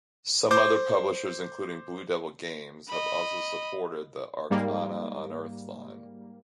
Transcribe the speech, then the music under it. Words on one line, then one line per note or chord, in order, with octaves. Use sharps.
Some other publishers, including Blue Devil Games, have also supported the "Arcana Unearthed" line.
C5 D6 G6
D#5 B5
G#2 G3 A#3